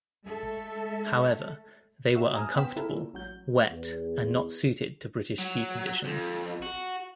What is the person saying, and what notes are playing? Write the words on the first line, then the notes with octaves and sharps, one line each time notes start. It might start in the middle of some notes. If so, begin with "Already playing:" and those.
However, they were uncomfortable, wet and not suited to British sea conditions.
G#3 A3 A4 E5
F#4 E5 E7
G#5 A#5 D#6 F6
B3 C5 G5 B6 E7
C#3 E4 A4 A#4
A#2
A1 F#3 G6
E2
F#3
F2
F#4